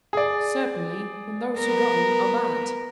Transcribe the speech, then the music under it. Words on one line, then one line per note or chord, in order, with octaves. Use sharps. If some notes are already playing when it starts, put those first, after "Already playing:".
"Certainly, when those who govern are bad."
G#4 D5
B3 A#4